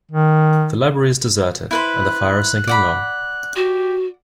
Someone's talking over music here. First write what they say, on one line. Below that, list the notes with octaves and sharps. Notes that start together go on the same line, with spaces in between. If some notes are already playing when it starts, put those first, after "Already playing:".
The library is deserted, and the fire is sinking low.
D#3
E4 B4 C5 F#6
D5 F#5 B5
F#4 G4